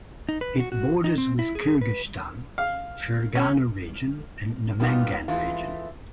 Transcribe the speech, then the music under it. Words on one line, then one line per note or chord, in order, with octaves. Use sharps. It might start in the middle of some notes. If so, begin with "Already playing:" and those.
It borders with Kyrgyzstan, Fergana Region and Namangan Region.
D#4
B4
F#4
F#4
D#4
C4
E4
G#4
B4
F5
C#4
G3 A#3 B3 D#4 F4
E3 G#3 A3 F4